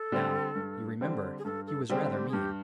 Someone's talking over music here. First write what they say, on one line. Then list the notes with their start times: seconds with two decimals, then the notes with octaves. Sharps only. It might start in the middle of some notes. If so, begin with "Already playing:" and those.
Now, you remember, he was rather mean.
Already playing: A4
0.12 D3 G3 C4
0.55 G2
1.01 D3 G3 C4
1.38 G#4
1.45 G2 A4
1.67 A4
1.89 D3 G3 C4 G#4
2.11 G4
2.29 G#4
2.33 G2 G4